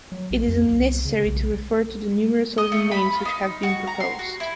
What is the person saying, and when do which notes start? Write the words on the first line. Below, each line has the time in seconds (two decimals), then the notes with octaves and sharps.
It is unnecessary to refer to the numerous other names which have been proposed.
0.12 F#3
0.31 A#1
0.47 F2
0.72 C2
1.05 C#3
1.26 B1
2.58 D#5
2.72 A3
2.91 B5
3.13 F4
3.25 D#4
3.63 F#4
3.87 A#5
4.00 C6
4.19 F#4
4.40 E4